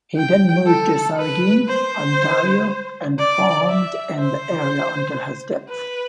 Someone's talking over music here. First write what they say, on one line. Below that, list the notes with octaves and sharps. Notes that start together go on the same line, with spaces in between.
He then moved to Saugeen, Ontario and farmed in the area until his death.
G5
A4
B4
C5
D5
E5
C5
B4